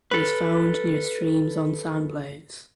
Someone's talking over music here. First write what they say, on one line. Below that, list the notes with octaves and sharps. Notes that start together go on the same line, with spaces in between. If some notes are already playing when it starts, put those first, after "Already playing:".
It is found near streams on sandplains.
A4 B4